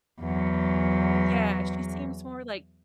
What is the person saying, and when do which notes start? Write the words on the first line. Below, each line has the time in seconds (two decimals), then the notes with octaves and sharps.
Yeah, she seems more, like,
0.21 E2 F#3